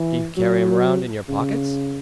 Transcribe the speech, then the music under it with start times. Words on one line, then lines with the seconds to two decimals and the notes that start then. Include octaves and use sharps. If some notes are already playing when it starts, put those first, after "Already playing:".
"Do you carry 'em round in your pockets?"
Already playing: E3
0.37 F#3
1.28 C#3